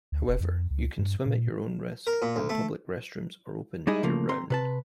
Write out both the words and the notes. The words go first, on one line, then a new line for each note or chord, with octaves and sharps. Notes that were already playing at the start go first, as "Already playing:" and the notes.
However, you can swim at your own risk and public restrooms are open year-round.
D2
E1
F2
C#2
G2
A#2
A#4
A#2
D2
A3
G3 G#3 D#4 E4 G#4
C#3 F3 A3 A#3
C4 A#5 C6
C3 B4 A5